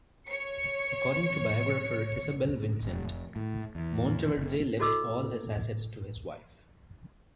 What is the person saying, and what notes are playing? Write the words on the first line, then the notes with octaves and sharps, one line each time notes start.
According to biographer Isabel Vincent, Monteverde left all his assets to his wife.
C#5 C#7
F1
A2
E2
F#1
E4 F#4 A4 D#5 D6 E6